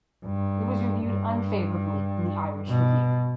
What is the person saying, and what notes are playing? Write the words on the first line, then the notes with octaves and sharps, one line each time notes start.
It was reviewed unfavourably in "The Irish Review".
G2
G2
B2